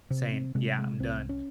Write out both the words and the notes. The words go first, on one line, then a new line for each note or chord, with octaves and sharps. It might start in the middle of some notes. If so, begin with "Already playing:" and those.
saying, "Yeah, I'm done."
C3 C4
C4
C3 G#3
G#3
C2 C4
C#4